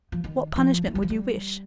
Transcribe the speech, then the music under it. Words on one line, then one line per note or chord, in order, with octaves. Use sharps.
"What punishment would you wish?"
F3
D#3
F3
A3
G3
F3
G3